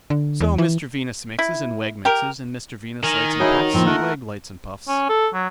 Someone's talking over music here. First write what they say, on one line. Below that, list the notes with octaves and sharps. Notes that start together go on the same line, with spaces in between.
So, Mr Venus mixes, and Wegg mixes; and Mr Venus lights and puffs, and Wegg lights and puffs.
D3
E2
E3
E4
G4 A#4
D#3 A#4 G#5
D#4 E4 F#4 G#4 C#5
A2 F3 A#3 C4
A3 F4 A#4 F#5
C#4
A4
F#3